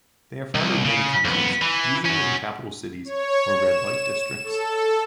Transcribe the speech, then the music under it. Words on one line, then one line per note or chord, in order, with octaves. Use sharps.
They are found in many countries, usually in capital cities or red-light districts.
C2
C#3
F2 B3
E3
C#4 F#4
C#5
E7
A4